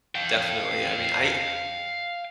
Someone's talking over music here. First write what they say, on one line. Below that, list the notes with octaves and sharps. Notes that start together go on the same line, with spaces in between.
Definitely. I mean, I
F5 G5